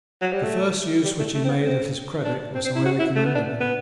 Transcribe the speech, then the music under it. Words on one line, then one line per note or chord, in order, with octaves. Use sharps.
The first use which he made of his credit was highly commendable.
F#3
G3
A3
G3
A3
A3
C4
B3
C4
D4
C4
C4
E4
F#4
E4
A3
B3
D4
B3